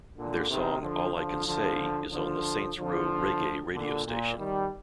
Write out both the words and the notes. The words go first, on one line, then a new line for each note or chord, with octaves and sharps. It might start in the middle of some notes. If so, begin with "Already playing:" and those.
Their song "All I Can Say" is on the Saints Row reggae radiostation.
A#2 D3
C3 D#3
D3 F3
D3 F3
D3 F3
D3 F3
D3 F3
A#2 D3
A#2
D#3 G3